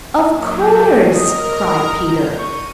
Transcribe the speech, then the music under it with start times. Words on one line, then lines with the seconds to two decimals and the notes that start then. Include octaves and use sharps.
"Of course," cried Peter.
0.22 A#2 F#3
0.60 G4
1.15 A#4 D#5 A#5
2.00 G6
2.39 C#6 D#7